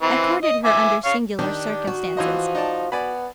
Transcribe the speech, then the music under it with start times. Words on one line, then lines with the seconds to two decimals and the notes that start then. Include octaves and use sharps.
I courted her under singular circumstances.
0.02 E3 C4
0.43 D#5
0.65 E5 G#5 D6
1.05 C#5 F5
1.39 D#3 D4 G4
1.87 F#4
2.17 E3 F3 C5 D#5
2.55 D#4 D5 A5
2.92 B3 D5 G#5 B5